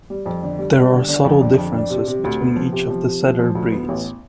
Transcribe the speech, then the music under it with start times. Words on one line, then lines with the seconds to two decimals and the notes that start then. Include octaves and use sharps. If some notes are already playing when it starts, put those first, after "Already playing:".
There are subtle differences between each of the setter breeds.
0.10 G3
0.26 F2
0.43 D3
0.59 G3
0.75 G3
0.92 D3
1.09 D3
1.24 F2
1.41 D3
1.58 F2
1.75 D4
1.90 C3
2.07 C3
2.24 D2
2.41 B3
2.56 F3
2.72 C3
2.90 F3
3.07 C3
3.22 F3
3.39 F3
3.55 D2
3.72 B3
3.89 A1